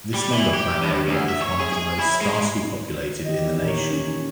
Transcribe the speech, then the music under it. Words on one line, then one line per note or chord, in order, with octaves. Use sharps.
This number plan area is one of the most sparsely populated in the nation.
G3
E3
G4
G2
D2
E5
C#5
G#4
G#4
E4
G#3
D#3 E3 G4 D#5
A#2 D#4 A#4 C#5
C#4